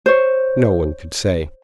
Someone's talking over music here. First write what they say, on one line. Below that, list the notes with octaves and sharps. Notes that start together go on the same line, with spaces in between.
No one could say.
C5 C#5